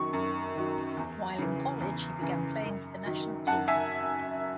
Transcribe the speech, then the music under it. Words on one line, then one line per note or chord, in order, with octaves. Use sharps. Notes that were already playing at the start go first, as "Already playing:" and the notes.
While in college, he began playing for the national team.
Already playing: F#2 D#3 F#3 C#6
F#2
D#3 F#3
E2
C#3 E3
E2
C#3 E3
F#2
D#3 F#3
F#2 F#5 A5
E5 G#5